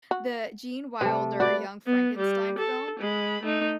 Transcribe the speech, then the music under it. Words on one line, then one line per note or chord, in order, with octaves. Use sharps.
the Gene Wilder Young Frankenstein film,
F#4
C3 A3 G4 B4
F#4 B4 D5
B3
G3
A4
G#3 B5
A3 D#4